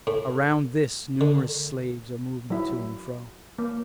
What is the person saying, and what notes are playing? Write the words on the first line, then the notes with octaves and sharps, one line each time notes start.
Around this numerous slaves are moving to and fro.
A2
D3
F#3 E4
A#3